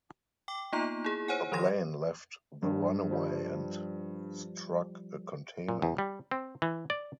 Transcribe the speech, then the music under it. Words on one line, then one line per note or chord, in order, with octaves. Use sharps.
The plane left the runway and struck a container.
G5 D6
A#3 B3 D#4 F4 A#5
E4 G#4
C5 C#5 F#5 G#5
D#3 F3 C6 A#6
G2
F3 G3
A#2
E2
G3
C4
E3
D5